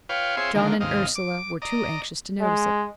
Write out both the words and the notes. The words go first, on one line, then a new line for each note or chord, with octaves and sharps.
John and Ursula were too anxious to notice it.
F4 B4 C#5 F5 G5
C4 F4 G#4 C#5 E5 C6
D3 D#3 F3 A#3
D#2 G#2 C3 D#5 F5
D6
D5 D#5 A#5
G#3